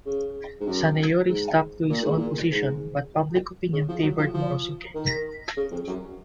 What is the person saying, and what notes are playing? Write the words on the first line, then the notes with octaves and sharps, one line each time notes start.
Saneyori stuck to his own position, but public opinion favored Morosuke.
C#3
G#2
F#2
G#2
A#2
G#2
A#2
G#2
C#3
F3
F#3
F3
F3
D#3
C#3
F2
F#2